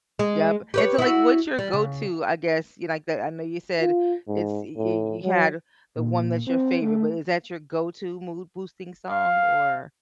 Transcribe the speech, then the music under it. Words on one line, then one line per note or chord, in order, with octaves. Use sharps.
yep. And so, like, what's your go to, I guess, you like that I know you said it's y y you had the one that's your favorite, but is that your go to mood boosting song, or?
G#3
G4 B4 C#5
E4 F#4
G3
C#3
F4
G#2
A2
F#3
A#2
C4
A3
F5